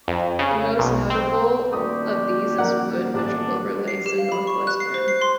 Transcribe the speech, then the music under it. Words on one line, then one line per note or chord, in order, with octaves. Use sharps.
The most notable of these is Wood, which overlays the northwest rim.
F2
C#3
B1
C4
D#1 A3 D4 F#4 G4 D#6
A#4 D5 F#5
A1 D3 B3 D4
C7
G4
F5
B5
C#6
F#6
C7
C5
C7
C6